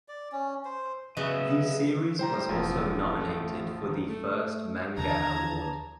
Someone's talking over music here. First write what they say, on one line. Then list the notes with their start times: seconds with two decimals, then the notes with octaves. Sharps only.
The series was also nominated for the first manga award.
0.08 D5
0.32 C#4
0.65 C5
1.17 C#3 F#3 B3 G#4 D#5 E5
2.19 G3 C5 G5 A#5
2.49 E1 A1 F3
3.14 A3
3.83 D#3
4.07 A3
4.98 D#2 D3 F3 A5 A#5 G#6